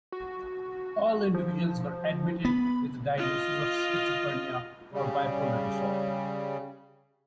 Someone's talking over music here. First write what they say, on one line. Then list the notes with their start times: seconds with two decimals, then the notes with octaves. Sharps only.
All individuals were admitted with a diagnosis of schizophrenia or bipolar disorder.
0.12 F#4
1.34 F3
2.45 B3 B5
3.17 F4 D#5
4.93 C#3 G3